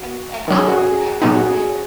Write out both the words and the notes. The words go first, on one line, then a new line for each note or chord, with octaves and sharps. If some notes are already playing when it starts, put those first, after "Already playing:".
And and I would do that if I became a
Already playing: F#4
D#3 F#3 C#4 A#4
G#4
F#4
G#4
A#2 F#3 B3 D#4 G#4
F#4
G#4